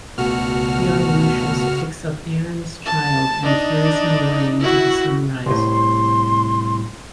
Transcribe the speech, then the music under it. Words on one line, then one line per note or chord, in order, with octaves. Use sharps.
Young Lucius picks up Aaron's child and carries him away into the sunrise.
C#2 B2 A3 F#4 F6
A5
D4 D#4
E4 F#4
C2 A2 C6